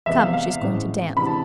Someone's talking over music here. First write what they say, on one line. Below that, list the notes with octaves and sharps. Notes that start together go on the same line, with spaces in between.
Come, she's going to dance.
E2 C3 G#3 B3 E5
F5
F5
A1 A2 G#3 C4
D2 C3 E3 G#3 B5
A5